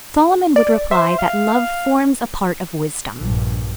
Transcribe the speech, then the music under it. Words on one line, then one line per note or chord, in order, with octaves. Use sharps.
Solomon would reply that love forms a part of wisdom.
D5
C5 E5
F5
A#1 G2